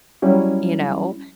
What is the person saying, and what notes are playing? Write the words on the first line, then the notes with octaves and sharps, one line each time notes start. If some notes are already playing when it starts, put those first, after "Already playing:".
You know?
F#3 G3 C#4 E4